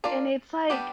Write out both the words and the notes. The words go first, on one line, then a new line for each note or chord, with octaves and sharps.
and it's like,
D4 F4 A#4 D5
G3 B3 D4 G4 B4